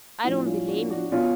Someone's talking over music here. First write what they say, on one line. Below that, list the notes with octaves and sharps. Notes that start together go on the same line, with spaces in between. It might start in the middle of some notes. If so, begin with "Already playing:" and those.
I don't blame you.
A2 F3 D4 F#4
C#4 F4
D4 F#4
D4 F#4
B2 C#4 F4